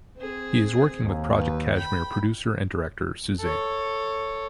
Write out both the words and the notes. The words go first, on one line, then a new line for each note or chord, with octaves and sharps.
He is working with "Project Kashmir" producer and director Susain.
C4 G#4
D#2
B4
G5 B5
A4 C#5